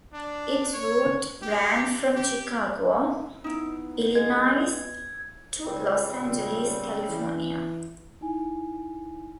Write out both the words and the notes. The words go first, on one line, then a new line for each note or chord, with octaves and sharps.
Its route ran from Chicago, Illinois to Los Angeles, California.
D4
C#5
G4
G4
B3 D#4 E4
G#3 G#6
C#2 C#3 G3 C4
A#2
E3
D#4 E4 G#5